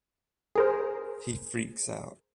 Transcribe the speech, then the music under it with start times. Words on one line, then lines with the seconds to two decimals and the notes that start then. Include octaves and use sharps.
He freaks out.
0.55 G#4 A#4 C5